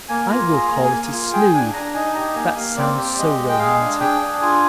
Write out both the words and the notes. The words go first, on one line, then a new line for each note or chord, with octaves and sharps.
I will call it a snood--that sounds so romantic.
A#3 G#5
F4 A#5
G#4
A#5
A#3
G#5
A#3
F4
G#4 G5
D4 G#5
D4 A#5
D#4 G#5
G4 A#5
A#3 G#5
A#3 F5
C4 D5
G4
G#3 D#5
G#3
G5
G#4 F5
D4
G#4 G5
D4
F4 G#5